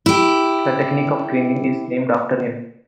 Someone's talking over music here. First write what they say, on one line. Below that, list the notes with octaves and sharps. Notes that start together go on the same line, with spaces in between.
The technique of kriging is named after him.
E4 G4